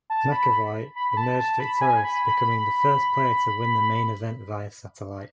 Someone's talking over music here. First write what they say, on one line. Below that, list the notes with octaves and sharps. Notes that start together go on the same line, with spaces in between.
McEvoy emerged victorious becoming the first player to win the main event via satellite.
A5
B5
B5
B5
A5
A5
B5
G#5
B5
B5